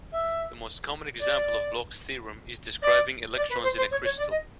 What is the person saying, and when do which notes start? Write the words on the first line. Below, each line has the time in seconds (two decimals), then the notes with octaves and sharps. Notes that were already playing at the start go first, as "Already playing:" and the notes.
The most common example of Bloch's theorem is describing electrons in a crystal.
0.12 E5
1.20 D5
2.82 D5
3.36 D5
3.50 B4
3.63 C5
3.77 C5
3.91 C#5
4.04 C#5
4.18 D5
4.31 D#5